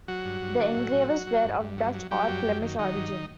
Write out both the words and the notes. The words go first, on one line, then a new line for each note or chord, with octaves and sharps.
The engravers were of Dutch or Flemish origin.
F#3 F#4
G2
G2
D3
A2
A2
F#3
F#3
G2
G2
F#3
F#3
F#3 G3 G4
F#2
F#2
D#3
D#3 F#3 D#4
G2